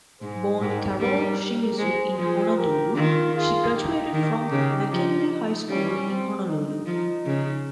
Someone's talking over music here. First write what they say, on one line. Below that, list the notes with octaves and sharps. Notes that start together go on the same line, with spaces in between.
Born Carole Shimizu in Honolulu, she graduated from McKinley High School in Honolulu.
G#2 G#4 C5
G#2 G4 A#4
G3 G4 A#4
G4 A#4
G#3 G#4 C5
F3 G#4 C5
G4 A#4
D#3 F4
F4 G#4
D#4 G4
D#3
C#3
F3 D#4 G4
D#4
G3 C#4
C4
D#4
F3 D#4
C#3